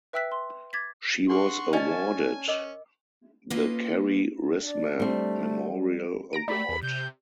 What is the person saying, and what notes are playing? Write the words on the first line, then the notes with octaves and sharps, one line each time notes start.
She was awarded the Carey Risman Memorial Award.
B4 E5 G5 E6 F#6 B6
C6
D6 G#6 A6 B6
D4 G#4 B4 F#5 C6 C#6
C#4 D5 D#5 G#5 A5 C#6
C#4 A#4 D#5 D6
A#3 C#4 F4 B4 D#5
D4 D5
G3 A3 C4
A#5 A#6 D7
A3 G4 D5 B5
E2
C3 G6